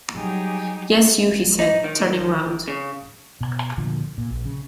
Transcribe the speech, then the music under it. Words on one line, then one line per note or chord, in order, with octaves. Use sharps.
"Yes, you," he said, turning round.
F#3 G3 D#4 G4 G#4
D#4
D#3
C#3
B2
D2 A#2 D3 F3
A#2
A#1
C#3